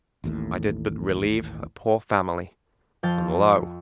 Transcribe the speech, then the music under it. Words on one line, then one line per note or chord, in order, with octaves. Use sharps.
I did but relieve a poor family; and lo!
A1 D#2 A2
F2 F3 G5 F6 G6 A6